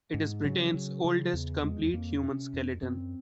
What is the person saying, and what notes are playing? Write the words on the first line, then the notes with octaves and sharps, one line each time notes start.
It is Britain's oldest complete human skeleton.
G#2
C#3 F#3
C#3
C#3
E2
F2 G#3
F2 A#3
C3 C#4
F2
F#2 C4